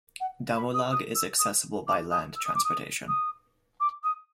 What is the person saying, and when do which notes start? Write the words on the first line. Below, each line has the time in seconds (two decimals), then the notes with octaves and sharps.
Damulog is accessible by land transportation.
0.20 F#5
0.56 B5
0.74 D#6
0.91 D#6
1.15 E6
1.39 D#6
1.87 D6
2.11 D#6
2.35 E6
2.44 D#6
2.55 D6
2.64 D#6
3.08 D#6
3.80 D6
4.03 D#6